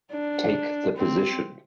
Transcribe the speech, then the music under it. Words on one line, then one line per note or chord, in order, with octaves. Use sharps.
Take the position'.
D4
C4